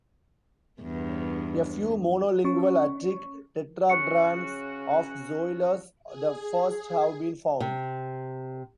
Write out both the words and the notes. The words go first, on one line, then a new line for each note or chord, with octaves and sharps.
A few monolingual Attic tetradrachms of Zoilos the First have been found.
E2 G2
C#4 C#6
C#3 C#4 F#4 C#6 C#7
G#4
C3